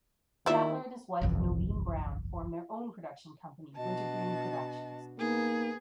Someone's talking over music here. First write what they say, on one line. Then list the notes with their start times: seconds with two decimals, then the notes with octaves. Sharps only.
Sattler and his wife Noeline Brown formed their own production company Wintergreen Productions.
0.46 D#3 A#3 E4 F4 G4 D5 E5
1.22 G1 C2 F2 E3
3.77 B2 D4 F#4 D#5 A5
5.19 A#3 B3 D#4 G#4